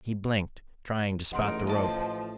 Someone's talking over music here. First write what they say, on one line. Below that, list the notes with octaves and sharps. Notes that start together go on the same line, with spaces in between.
He blinked, trying to spot the rope.
A1 G#3 D#4 A#4 F#5 C6 D7
F3 D#5 A5